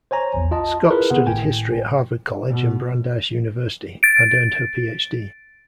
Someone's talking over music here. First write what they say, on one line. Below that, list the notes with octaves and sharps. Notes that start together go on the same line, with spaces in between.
Scott studied history at Harvard College and Brandeis University, and earned her PhD.
C5 C#5 G#5 A#5
A#1 E2
F4 D#5 A5
E4 F4 G#4 A#4 B4
C3 B3 G#4 F#5
G#1 A2 G5 G#5
B2
A6 D7